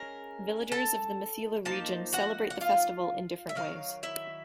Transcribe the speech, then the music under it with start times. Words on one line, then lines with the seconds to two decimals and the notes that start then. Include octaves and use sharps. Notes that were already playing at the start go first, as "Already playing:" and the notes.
Villagers of the Mithila region celebrate the festival in different ways.
Already playing: G#3 C#4 A#4 A#5
0.72 A4 A5
1.65 F3 A#3 D#4 A5
2.13 F#4 F#5
2.50 F#5
2.61 F4 F5
3.49 E5
3.55 D#3 F#3 F5
4.03 E4 E5